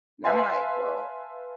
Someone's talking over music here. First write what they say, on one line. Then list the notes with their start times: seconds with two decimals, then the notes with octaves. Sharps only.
and I'm like, "Well,
0.24 B4 E5 F5 G#5 A5 C6